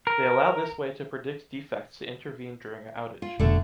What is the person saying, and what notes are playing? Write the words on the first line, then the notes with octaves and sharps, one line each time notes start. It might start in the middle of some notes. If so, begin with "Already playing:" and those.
They allow this way to predict defects to intervene during a outage.
A#4
F4
F1 B2 D3 A3